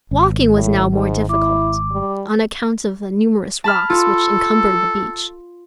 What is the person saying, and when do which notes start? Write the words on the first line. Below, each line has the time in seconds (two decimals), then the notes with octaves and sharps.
Walking was now more difficult, on account of the numerous rocks which encumbered the beach.
0.11 G#1
0.53 A2
0.93 G#2
1.29 E4 D6
1.91 G3
3.64 A5 B5 F6
3.90 F4 A4